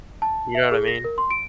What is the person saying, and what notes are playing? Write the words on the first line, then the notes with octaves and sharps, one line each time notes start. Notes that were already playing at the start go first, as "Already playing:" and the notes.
You know what I mean?
A5
E5
G#4
A#6
A#4
C6
D7